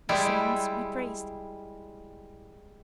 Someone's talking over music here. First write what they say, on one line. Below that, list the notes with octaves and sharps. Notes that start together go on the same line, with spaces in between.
The saints be praised!
G3 G#3 E4 G5